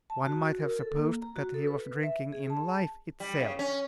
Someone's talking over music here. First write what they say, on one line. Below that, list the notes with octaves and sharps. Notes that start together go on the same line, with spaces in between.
One might have supposed that he was drinking in life itself.
A5
F#4
A#4
A4
A#3
A#5
F#4
A4
B4
E5
G#4
A5
G3
C#3
C#4